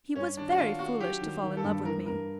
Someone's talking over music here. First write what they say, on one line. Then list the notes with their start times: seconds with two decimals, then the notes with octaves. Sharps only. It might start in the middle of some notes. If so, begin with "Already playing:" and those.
He was very foolish to fall in love with me.
0.15 G2 C#4
0.37 D#3 D4
0.50 F#4
0.58 D#3 F4
0.79 A3 F#4
1.01 F#3 G4
1.22 D#3
1.43 D#3
1.57 A4
1.64 G2
1.85 E3 A#4
2.06 G2 A#4